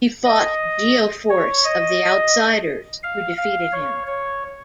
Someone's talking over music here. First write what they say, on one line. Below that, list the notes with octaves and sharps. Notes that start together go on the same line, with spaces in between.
He fought Geo-Force of The Outsiders who defeated him.
D#5
C#5
D#5
F5
F5
C#5
C#5